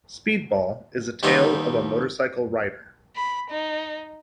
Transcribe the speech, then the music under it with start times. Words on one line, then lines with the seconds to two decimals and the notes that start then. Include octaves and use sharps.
"Speed Ball" is a tale of a motorcycle rider.
1.23 D#2 G3 B3 C4 D#4 G#5
3.16 B5
3.50 D#4